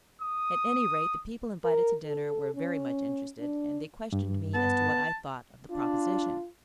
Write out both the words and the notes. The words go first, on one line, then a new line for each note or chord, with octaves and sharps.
At any rate the people invited to dinner were very much interested, and they questioned me as to what I thought of the proposition.
D#6
A#4
A4
C#4
D4
G2
B3 A5
D4 F4